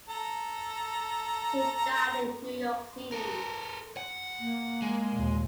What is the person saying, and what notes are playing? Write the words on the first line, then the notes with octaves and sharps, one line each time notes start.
She died in New York City.
A4 A#5
A4 A#4
F#5
A#3
G#3
D#2 A#2